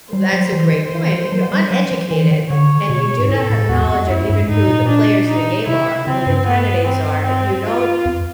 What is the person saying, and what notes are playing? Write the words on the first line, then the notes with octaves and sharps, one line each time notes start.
That's a great point. If you're uneducated and you do not have knowledge of even who the players in the game are, who your candidates are, if you don't
G3 C5
F#3
E3
D#3
E3
F3
F#3
G3
F#3
F3
E3
D#3
D3 C#5
B2
G#2
A2 A4
A2
E2 F#4
F2
F#2 E4
G2
G#2 D#4
A#2
D4
D#4
C3 E4
C#3 C4
G2
B3
C4
C4
F4
F2